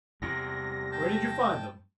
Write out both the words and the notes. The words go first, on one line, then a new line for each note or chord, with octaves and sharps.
"Where did you find them?"
E2 C3 G3 A#6
G5 A5